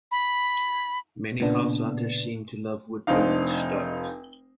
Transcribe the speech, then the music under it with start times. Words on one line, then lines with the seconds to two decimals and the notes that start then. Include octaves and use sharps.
Many househunters seem to love woodburning stoves.
0.12 B5
1.40 A#2 C#3 B3 D4
3.07 F1 C4 D4 D#4 F5